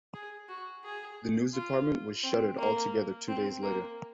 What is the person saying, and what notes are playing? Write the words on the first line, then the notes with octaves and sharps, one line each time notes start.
The news department was shuttered altogether two days later.
G#4
F#4
G#4
F4
C4
A#3
C4
A#3